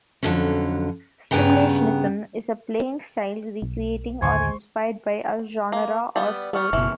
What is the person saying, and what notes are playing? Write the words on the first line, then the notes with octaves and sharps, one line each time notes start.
Simulationism is a playing style recreating, or inspired by, a genre or source.
F2 A#2 D3 F#3 C#4
G2 C#3 B3 G5 A#5
B1
D#2 A2 D3 C5 G#5 C6 C#6
A#3
G3 B3
G3 B3 C#6 F6
F#1 B2 E3